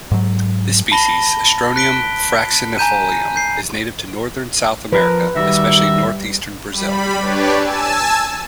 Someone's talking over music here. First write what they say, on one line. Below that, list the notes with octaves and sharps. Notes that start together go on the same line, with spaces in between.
This species, "Astronium fraxinifolium", is native to northern South America, especially north-eastern Brazil.
G#2 F#3
A5 B5 A#6 G7
F#6 B6 D7 G7
G#5 A#5 G6 D#7
G6 C7
F3 A#4 B4
D#3 G3 F#4 D5 E5
G3 B5
D4 G4 B4 C#5 D5
G#5 A5 E6